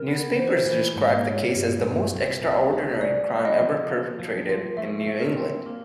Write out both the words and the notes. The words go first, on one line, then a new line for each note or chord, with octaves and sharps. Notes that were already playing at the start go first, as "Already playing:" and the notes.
Newspapers described the case as the most extraordinary crime ever perpetrated in New England.
Already playing: C#3 A#4
B3
E3 C5
B4
C5
E3
G#2
G3 C#5
G2
G2
C2
C2
A3
G#3 D5
B3
D#5
F3
A#3
F3
F3
A3 E5
A3
A#4
C4
A#3